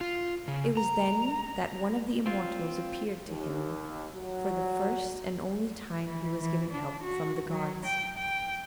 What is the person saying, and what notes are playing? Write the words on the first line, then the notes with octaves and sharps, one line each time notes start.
It was then that one of the immortals appeared to him; for the first and only time he was given help from the gods.
F4
C#3
A#5
C4 F4
D#2
F#3
E3
E3
D4
F#4
F#3
G5
G5